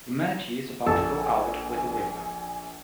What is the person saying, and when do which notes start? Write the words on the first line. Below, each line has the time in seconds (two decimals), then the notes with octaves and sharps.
Humanity is about to go out with a whimper.
0.86 A#1 A4 G#5